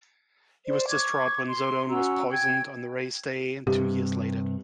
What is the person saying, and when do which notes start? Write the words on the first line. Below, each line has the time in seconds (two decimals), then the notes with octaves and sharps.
He was distraught when Zoedone was poisoned on the race day two years later.
0.67 C5 D5
0.89 C#6 D6 G#6
1.48 C6
1.89 C#4 F#4 A#5 E6
2.30 G5 G#6
3.67 G2 C3 G4